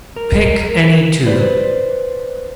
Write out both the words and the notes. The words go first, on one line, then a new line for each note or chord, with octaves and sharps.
Pick any two.
A#4
B4 C5 D5